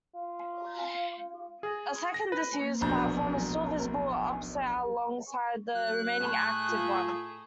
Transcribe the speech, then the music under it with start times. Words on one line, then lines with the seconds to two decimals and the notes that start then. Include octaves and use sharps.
A second disused platform is still visible opposite alongside the remaining active one.
0.16 F4
1.63 G#4
2.14 A#6
2.32 B4
2.81 D1 A#1 B2 D4 A#5 G6
5.75 F#3 F#6
6.19 A2 A3 G#4
6.69 F4